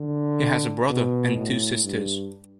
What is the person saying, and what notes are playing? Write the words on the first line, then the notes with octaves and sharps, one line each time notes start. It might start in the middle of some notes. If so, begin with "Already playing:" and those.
He has a brother and two sisters.
Already playing: D3
B2
A2
G2